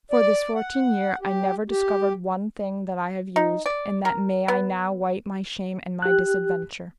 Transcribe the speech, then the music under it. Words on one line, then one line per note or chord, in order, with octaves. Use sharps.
For this fourteen year I never discovered one thing that I have used, and that may I now wite my shame and my disadventure.
D5
F#5
G4
G4
D#4
D5
A#4
B3
G4 F#6